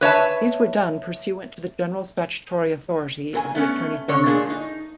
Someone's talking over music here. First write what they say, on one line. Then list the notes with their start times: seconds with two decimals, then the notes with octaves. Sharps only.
These were done pursuant to the general statutory authority of the Attorney General.
0.01 B4 C#5 E5 A5
3.33 A#2 A#4 G#5
3.55 A3 B3 C#4
4.08 D3 C#5
4.26 A#2 G#3 D4 G#4
4.50 D#4